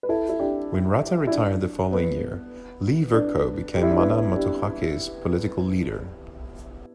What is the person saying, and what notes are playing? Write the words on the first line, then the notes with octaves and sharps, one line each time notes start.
When Rata retired the following year, Lee-Vercoe became Mana Motuhake's political leader.
B4
E4 A4
E4
D4 G4
E4
D4
B3
D4
G4
E4
D4
B3 E4
D4 G4